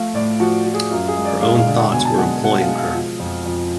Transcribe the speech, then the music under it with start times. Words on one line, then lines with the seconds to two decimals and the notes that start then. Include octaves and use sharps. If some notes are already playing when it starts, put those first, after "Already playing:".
Her own thoughts were employing her.
Already playing: F3 A3 F5
0.15 A2 D5
0.40 F3 F#4
0.66 F3
0.74 G#4
0.91 F#2 F4
1.08 G#4
1.17 G#3
1.25 D5
1.42 G#3 F5
1.58 F5
1.67 D3
1.76 F#5
1.92 B2 G#5
2.05 A5
2.18 G#3 F#5
2.44 B2 F#5
2.61 F5
2.68 G#3
2.78 F5
2.95 F3
3.20 F2
3.46 F2